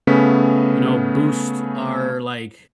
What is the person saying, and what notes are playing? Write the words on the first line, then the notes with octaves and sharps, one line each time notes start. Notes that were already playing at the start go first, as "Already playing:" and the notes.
"you know, boost our, like,
C#3 A3 B3 C#4 B6